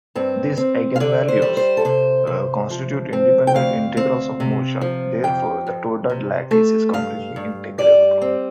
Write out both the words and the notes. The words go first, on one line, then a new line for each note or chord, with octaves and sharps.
These eigenvalues constitute independent integrals of motion, therefore the Toda lattice is completely integrable.
G2 C4
C4
F5
D3 D5
C5
G3
C5
A4
C3 C5
C3
F3
C4
G5
D2 F5
C4
C3
F3
F2 G5
F2
C3
A3
G2 F5
G2
G3 D5
C4